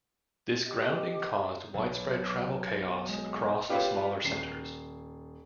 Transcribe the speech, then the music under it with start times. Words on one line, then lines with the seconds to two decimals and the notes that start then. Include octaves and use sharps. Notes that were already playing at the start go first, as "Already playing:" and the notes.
This grounding caused widespread travel chaos across the smaller centres.
0.66 G4 D#5
1.74 B1
3.08 G#3
3.69 F4 G4 B4 C#5 F5
4.24 D#1 C7